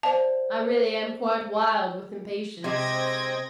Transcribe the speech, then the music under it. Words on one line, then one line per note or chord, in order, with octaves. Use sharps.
I really am quite wild with impatience.
C5 D5 F5 A5
C3 G#3 C4 D#5 G5 G#6 A#6